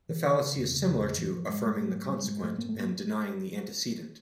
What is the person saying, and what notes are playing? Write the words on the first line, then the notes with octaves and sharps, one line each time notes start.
The fallacy is similar to affirming the consequent and denying the antecedent.
D3 E3
D3 D#3
C#3
E2
C#3
E2
G#2
G#2 E3
G#2 F3
G#2 G#3
G#2 G#3
G#2 A3
G#2 G3
G#2 G3
G#2 G#3
G#2 A3
G#2 A#3
A3
G#2
A#3